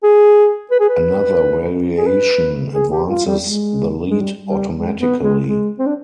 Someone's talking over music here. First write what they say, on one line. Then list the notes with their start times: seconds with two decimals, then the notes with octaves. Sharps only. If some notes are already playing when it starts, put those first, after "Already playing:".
Another variation advances the lead automatically.
0.03 G#4
0.71 B4
0.80 G#4
0.89 B4
1.98 G#4
2.07 B4
2.74 G#4
2.91 G4
3.09 F4
3.25 G3
3.43 G#3
4.10 G#3
4.21 G3
4.43 G3
4.78 G#3
5.01 B3
5.23 G#3
5.46 G#3
5.79 C4
5.87 D4